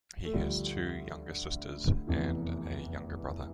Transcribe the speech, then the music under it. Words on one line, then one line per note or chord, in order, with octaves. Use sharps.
He has two younger sisters and a younger brother.
A3
D2 D3 F3 G3
F1 E2 C3 E3